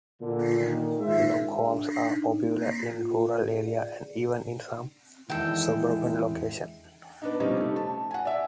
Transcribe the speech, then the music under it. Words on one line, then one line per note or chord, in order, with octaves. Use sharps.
Log homes are popular in rural areas, and even in some suburban locations.
A#2 D3
A#2 D#3
G#2 D#3 G#3 F4 E5
D4
D#4
A#3
F4
G#4
D5
E2 D#3 G#3 E4 A4 G5
B3 D4 D#4
C3 F3 G3 C#4 D#4
A3
A5
F#5 G#5
D5 E5